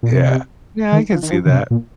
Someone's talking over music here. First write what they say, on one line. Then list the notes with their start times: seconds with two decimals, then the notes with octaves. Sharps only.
Yeah. Yeah, I can see that.
0.03 A#2
0.13 C3
0.92 D#3
1.11 F3
1.23 D#3
1.31 F3
1.46 D#3
1.50 C3
1.71 A#2